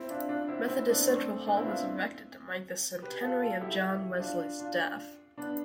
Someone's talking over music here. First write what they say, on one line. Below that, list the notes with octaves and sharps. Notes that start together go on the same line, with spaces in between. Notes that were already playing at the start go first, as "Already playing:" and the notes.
Methodist Central Hall was erected to mark the centenary of John Wesley's death.
Already playing: C4 E4
D4 F4
D4 F4
C4 E4
C4 E4
B3 D4
A3 C4
B3 D4
C4 E4
D4 F4
G4 B4
F4 A4
F4 A4
E4 G4
D4 F4
D4 F4
B3 D4